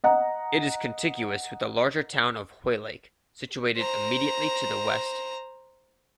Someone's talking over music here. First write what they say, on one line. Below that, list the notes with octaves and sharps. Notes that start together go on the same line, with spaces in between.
It is contiguous with the larger town of Hoylake, situated immediately to the west.
D#5 F#5 A#5
C5 A#5